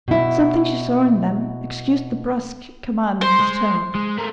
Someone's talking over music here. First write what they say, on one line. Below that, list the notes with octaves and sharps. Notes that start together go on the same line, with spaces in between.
Something she saw in them excused the brusque command of his tone.
B2 E4
C5
G#3
G#3
A3 A#4